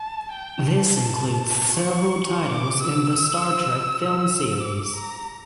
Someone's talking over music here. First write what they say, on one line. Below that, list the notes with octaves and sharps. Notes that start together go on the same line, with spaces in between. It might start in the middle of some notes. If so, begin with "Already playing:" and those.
This includes several titles in the "Star Trek" film series.
Already playing: A5
G5
A5
C#6
D6
E6
D6
A#5